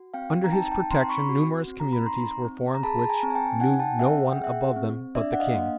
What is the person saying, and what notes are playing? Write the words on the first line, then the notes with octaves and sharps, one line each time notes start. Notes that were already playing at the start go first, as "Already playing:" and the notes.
Under his protection numerous communities were formed which knew no one above them but the king.
Already playing: F#4
C4 F5 G5
A#5
D#4 G5 A5
G5 A5
C4 A#5 C6
B5 C#6
F#4
C4
A#5
B5
D#4 A#5 C6
C4
A#5
G#4 A5 B5
A5
G#5 A#5
C4
G#5
G5 A5
D#4 F#5 G#5
G#5
G5 A5
C4 E5 F#5
F#5
G5
G#4
E5 F#5
C4
D4 D5 E5
F#5
D#5 F5
A#3